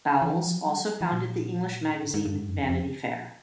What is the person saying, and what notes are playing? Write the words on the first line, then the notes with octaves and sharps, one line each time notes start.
Bowles also founded the English magazine "Vanity Fair".
E3
D#3
E3
F3
F#3
G3
F#3
E3
A#2
A2
G#2
G#2
G2
G#2
F#2
F2
F2